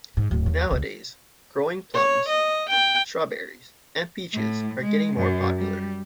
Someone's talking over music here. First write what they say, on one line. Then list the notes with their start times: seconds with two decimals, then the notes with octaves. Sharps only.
Nowadays, growing plums, strawberries, and peaches are getting more popular.
0.17 G#2
0.31 D1 G#2
0.46 D#2
0.71 C#2 C#3
1.94 C#5
2.29 D#5
2.70 G5
4.34 A2
4.80 G#3
5.16 F#2
5.58 G3